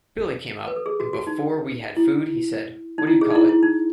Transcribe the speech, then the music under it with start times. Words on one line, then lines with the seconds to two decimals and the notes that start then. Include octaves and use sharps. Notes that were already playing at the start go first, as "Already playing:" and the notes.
Billy came up, and before we had food he said-What do you call it.
0.68 B4
0.76 A4
0.86 G#4
1.00 F#4
1.13 F#4
1.27 D#4
1.97 E4
2.98 D#4
3.07 E4
3.21 G#4
3.30 D#4
3.35 E4
3.49 E4
3.63 D#4